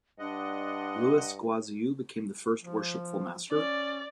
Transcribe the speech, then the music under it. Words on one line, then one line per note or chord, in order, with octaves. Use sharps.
Louis Goaziou became the first Worshipful Master.
G2 D4 D#5 F#5 C6
F3
C#4 D5